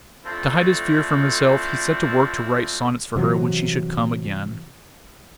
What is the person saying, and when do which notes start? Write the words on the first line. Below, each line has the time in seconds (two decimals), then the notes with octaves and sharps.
To hide his fear from himself, he set to work to write sonnets for her when she should come again....
0.25 F3 A3 C4 D4 E4
3.16 C3 E3 F#3